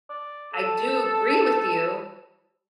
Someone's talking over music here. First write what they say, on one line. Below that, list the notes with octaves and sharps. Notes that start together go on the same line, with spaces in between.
I do agree with you
D5
A4